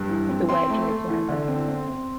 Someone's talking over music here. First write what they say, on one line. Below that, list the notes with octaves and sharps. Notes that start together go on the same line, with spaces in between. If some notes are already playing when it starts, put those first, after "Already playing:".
Right, like the wedge, like, yeah, the
Already playing: G2
E3
C4
C4 C6
A3
A3
E3
D3
C4
C4
C4